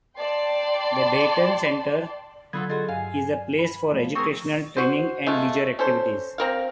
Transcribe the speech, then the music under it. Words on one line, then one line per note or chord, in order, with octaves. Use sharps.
The Deighton Centre is a place for educational, training and leisure activities.
D5 G5 A5 C6
D3 F#3 B3 F4 A4 E6 G#6
F4 F#4 G#4 A4 D#5
G2 F5 G#5
B5
F3 A3
C4 G#4 A#4 C#6
F#4 C5
G#3 A3 F4
C#4 A4 C5
C4 A#4 F5